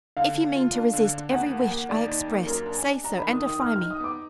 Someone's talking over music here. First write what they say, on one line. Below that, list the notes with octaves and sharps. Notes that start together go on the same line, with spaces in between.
If you mean to resist every wish I express, say so and defy me.
D3 F5
D3
F4
D4
D3
D4
D#2 F#5
A#3
F#5
A#3
D#2 D5
D#4
A#3
F#2 A#4
D4
G#5
D4
D4 A#5
D#3 B5
D#6
D#3 D#6
D#4 F6
F6
D#4
D#6
B3 D6